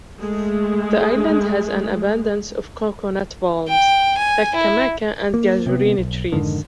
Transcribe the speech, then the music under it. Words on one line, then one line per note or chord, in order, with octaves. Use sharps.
The island has an abundance of coconut palms, "Takamaka" and "Casuarina" trees.
G#3 A3
G5
G#5
E4
A#3
C3 B3
B1
F2 G#2 D3 D#3